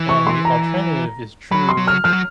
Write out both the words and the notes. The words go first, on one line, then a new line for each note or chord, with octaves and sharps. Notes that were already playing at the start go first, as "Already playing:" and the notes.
And the alternative is true.
Already playing: E3
C#6
C6
A#5
F#3 B5
C6
F#3
F6
F3 F6
F#3